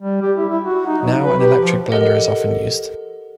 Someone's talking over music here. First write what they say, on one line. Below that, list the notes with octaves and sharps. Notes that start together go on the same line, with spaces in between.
Now an electric blender is often used.
G3
G4
E4
E4
F#4
D#4
F#3
B4
G4
F3
G4 A4 A#4 D#5 F#5